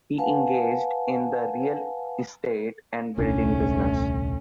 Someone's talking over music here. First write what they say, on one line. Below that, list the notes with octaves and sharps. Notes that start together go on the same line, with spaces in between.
He engaged in the real estate and building business.
B4 F5 F#5 G#5 A5
D#1 C2 A3 C#4 D4